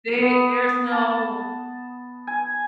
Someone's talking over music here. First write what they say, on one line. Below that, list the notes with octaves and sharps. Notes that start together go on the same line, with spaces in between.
they there's no
B3
A5
G#5